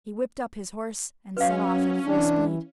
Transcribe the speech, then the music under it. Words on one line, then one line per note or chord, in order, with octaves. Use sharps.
He whipped up his horse and set off at full speed.
F#3 C#4 B4 F5
E3 D4